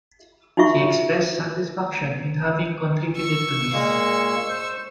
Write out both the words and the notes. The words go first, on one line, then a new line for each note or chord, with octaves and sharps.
He expressed satisfaction in having contributed to this.
D#4 F4 F#4 E5 C#6
C#6 E6
A#2 G#3 A#3
C5